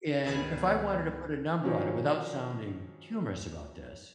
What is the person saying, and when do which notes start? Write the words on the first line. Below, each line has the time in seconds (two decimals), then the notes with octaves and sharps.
And if I wanted to put a number on it without sounding humorous about this,
0.25 G1 C#2 B2 D#3 B3 G#4 B4
1.64 D#3 F3 F#3 C#4